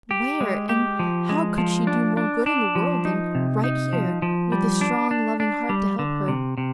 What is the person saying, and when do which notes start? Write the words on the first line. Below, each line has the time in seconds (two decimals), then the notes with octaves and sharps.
Where, and how could she do more good in the world than right here with this strong, loving heart to help her?...
0.11 G4
0.41 G#3
0.69 G4
0.99 F3
1.29 G#3
1.58 F3
1.87 D4
2.17 D4
2.46 D4
2.75 F3
3.05 D#4
3.35 C3
3.64 D#4
3.93 F3
4.22 F3
4.52 G3
4.81 D4
5.11 D4
5.40 D4
5.69 G3
5.99 D3
6.28 C3
6.58 C3